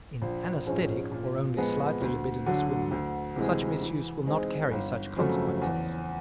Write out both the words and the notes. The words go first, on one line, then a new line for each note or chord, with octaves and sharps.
In anaesthetic or only slightly libidinous women, such misuse will not carry such consequences.
A#1
G#2 F3 G#3 C#4
A#2
F3 G#3 B3
D2
D3 F#3
D2
C3 E3 G#3
E3
G#3 C4 D#4
G1
F2 C#3 F#3 A3
E2